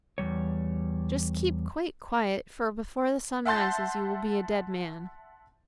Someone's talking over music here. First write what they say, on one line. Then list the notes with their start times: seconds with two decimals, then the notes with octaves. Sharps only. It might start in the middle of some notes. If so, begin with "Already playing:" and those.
'Just keep quite quiet, for before the sun rises you will be a dead man.'
0.18 E2 B2 G3 C#5
3.45 E5 F#5 A5 C6 G6 A6